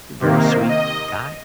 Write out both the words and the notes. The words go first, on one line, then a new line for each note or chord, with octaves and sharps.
very sweet guy.
C3 D#3 A#3
D#5